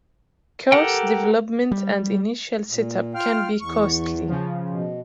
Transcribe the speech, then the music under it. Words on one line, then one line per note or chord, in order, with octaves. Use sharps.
Course development and initial setup can be costly.
G4 A4 A#4 F#5 G5
G3
A#2
F4 F5 G5 F6
E2 C#6
C#3 F3
B2